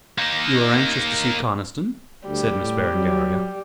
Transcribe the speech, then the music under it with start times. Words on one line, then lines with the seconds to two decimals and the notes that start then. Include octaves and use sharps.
"You are anxious to see Conniston?" said Miss Berengaria.
0.18 A#3 D#4
2.27 D2 G3
2.62 A2
2.95 F#3